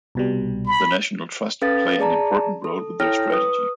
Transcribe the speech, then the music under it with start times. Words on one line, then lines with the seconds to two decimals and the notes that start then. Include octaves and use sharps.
The National Trust play an important role with their strategy.
0.15 C2 B2 G3
0.66 B5
1.62 C#4 A4 B4 F5 A6
2.00 G#4 D5 A5 A#5
2.64 A4
3.00 E4 A4 C#5 G5 F6 A#6
3.31 B4 D#6